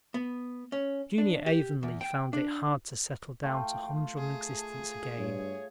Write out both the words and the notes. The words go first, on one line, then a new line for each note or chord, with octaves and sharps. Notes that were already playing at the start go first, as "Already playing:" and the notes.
Junior Avonlea found it hard to settle down to humdrum existence again.
B3
C#4
D4
G4
E2
G5
D4
A3 F4 G5
G#4 A5
G2 C#5